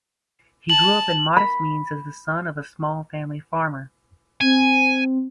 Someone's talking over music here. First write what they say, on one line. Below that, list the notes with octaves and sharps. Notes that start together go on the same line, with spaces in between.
He grew up in modest means as the son of a small family farmer.
A5 F#7
B5
C4 G#5